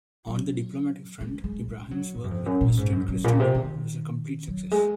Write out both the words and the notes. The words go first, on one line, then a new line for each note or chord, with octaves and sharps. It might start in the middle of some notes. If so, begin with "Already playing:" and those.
On the diplomatic front, Ibrahim's work with Western Christendom was a complete success.
F#3
G#3
G#3
G#3
F#3
G#2
F#2
F2
F#2
A#2
G#2
F#2
F#2
A#2
C3
D#3
F#3
G#3